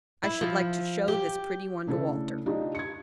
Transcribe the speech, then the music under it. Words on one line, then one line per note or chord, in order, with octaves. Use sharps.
I should like to show this pretty one to Walter.
E4
F3
G4
C#3 A3 D4 E4 A4
D4 D#4 F4 G4 D#5
G#6 C#7